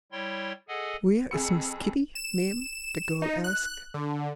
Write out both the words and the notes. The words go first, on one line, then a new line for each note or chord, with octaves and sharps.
"Where is Miss Kitty, ma'am?" the girl asked.
G3 E4 C#5 G5 C6
G#4 A4 D#5 F#5 G#5
F2 G#4 E6 C#7
E7
D#4
F#6
D3